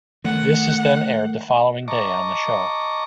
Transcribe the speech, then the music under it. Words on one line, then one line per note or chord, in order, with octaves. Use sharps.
This is then aired the following day on the show.
D#3 A3 F#5
D#5 A5 A#5 C#6 D6